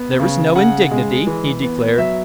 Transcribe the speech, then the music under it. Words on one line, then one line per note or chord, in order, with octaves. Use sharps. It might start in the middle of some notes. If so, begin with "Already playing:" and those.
"There is no indignity," he declared.
Already playing: B3
C#3
C#3 F#5
G#3
E3
B3
F#3 E5